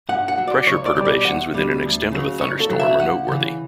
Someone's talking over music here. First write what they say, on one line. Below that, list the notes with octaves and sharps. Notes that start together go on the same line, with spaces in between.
Pressure perturbations within an extent of a thunderstorm are noteworthy.
G2 F#5
F#5
F#3
D5
C#2 C#5
D5
B2 G3
D5
E2 F#5
B2 G3
D2
C#3 F#3
F#2 C#5
A4
C#3 F#3
E5
C#2 F#5
C#3 E3